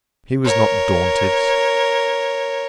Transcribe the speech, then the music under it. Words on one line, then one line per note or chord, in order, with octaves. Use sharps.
He was not daunted.
A#4 C#5